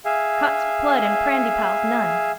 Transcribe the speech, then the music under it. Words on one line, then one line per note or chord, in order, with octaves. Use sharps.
Cot's plood and prandypalls, none!
G#4 E5 F5